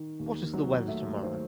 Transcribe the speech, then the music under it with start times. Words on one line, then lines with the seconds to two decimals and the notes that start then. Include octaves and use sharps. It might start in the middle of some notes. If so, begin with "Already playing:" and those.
What is the weather tomorrow?
Already playing: D#3
0.19 D#2
0.53 F#3
0.88 A3 E5
1.23 D#3 C5